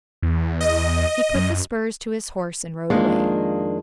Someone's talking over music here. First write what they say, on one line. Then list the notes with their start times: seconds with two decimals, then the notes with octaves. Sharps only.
He put the spurs to his horse and rode away.
0.23 E2
0.61 D#5
1.35 F#2
2.90 F2 D#3 G#3 A#3 D4